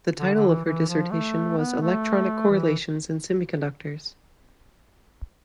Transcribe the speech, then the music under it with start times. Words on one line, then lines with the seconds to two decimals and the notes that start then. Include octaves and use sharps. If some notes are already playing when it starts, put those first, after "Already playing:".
The title of her dissertation was "Electronic correlations in semiconductors".
0.19 D3
0.35 D3
0.50 E3
0.65 E3
0.89 F3
1.11 A3
1.58 B3
1.81 A3
2.50 E3